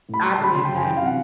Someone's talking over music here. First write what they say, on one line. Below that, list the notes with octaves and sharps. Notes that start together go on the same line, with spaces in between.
I believe that.
A2 B5
F#3 C6
A5
D3 B5
C#3 C6
G5
F#2
G#5
E3 G5
F5
C3 F#5